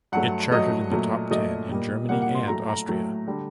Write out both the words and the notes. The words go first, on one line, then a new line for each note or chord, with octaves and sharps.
It charted in the top ten in Germany and Austria.
G2 F#3 A3 F#5
G2 F#3 A3 D#5
A#2 F#3 A3
A#2 F#3 A3 D#5
A#2 G3 A#3
A#2 G3 A#3 F#5
F#5
C6
A2 F#3 A3 A#5
A#5
A2 F#3 A3
D3 G3